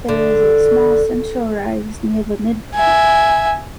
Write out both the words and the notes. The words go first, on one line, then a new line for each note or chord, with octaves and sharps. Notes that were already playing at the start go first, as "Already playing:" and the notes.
There is a small central rise near the midpoint.
D3
E5 G#5